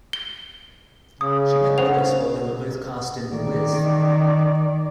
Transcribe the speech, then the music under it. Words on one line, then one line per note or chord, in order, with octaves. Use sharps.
She met Willis while they were both cast in "The Wiz".
G7
C#3 D#6
C5 F#5 F7
D#3 D5